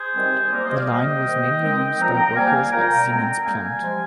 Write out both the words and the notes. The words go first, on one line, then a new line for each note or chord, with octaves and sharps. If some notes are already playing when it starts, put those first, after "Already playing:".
The line was mainly used by workers at the Siemens plant.
Already playing: G#4 C5
C3 D#3 G3 C4
C3 G3 A#3 A#4 D5
C5 D#5
D5 F5
C3 G3 A#3 D#5 G5
C3 D#3 A#3
D#3 G#3 C4
A#2 F3 C4 G5 A#5
G5 A#5
C3 G3 A#3 F5 G#5
A#2 G3 A#3 G5 A#5
D3 G#3 C4 G5 A#5
D3 G3 A#3 F5 G#5
C3 F3 G#3